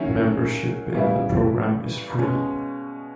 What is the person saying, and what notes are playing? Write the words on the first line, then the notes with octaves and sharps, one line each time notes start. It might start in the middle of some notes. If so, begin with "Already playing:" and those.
Membership in the program is free.
Already playing: D#3 F#3 A#3 C#4 E4
C#3 E3 G3 B3 E4
B2 G#3 C#4